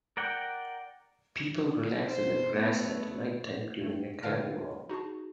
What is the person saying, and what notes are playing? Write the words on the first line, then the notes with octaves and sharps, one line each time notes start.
People relax in the grass at nighttime during a carnival.
A#4 D5 F#5 G5
B2 C5
A3 B3
G2 A3
D3 A4 B4 F5 A5 F6
D#4 F#4 G#4 A5